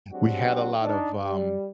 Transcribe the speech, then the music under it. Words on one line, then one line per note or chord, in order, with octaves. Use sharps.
we had a lot of, um,
F#3 G#3 C4 D4 F#4 G4
D4 D#4
G3